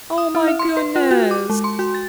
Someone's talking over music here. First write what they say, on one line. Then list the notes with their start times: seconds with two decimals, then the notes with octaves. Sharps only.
Oh, my goodness.
0.18 D#6
0.35 E4
0.48 E5
0.59 C6
0.77 B4
0.96 F4
1.11 F#4
1.31 D6
1.50 G#3
1.64 C6
1.79 F#4
1.95 A6